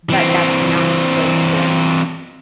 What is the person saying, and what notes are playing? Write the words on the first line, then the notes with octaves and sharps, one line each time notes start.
but that's not good for me.
E3 C4